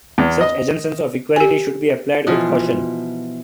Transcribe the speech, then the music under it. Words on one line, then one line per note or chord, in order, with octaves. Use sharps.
Such assumptions of equality should be applied with caution.
E2
D#5
G4 G#5
B2 E3 F3 F4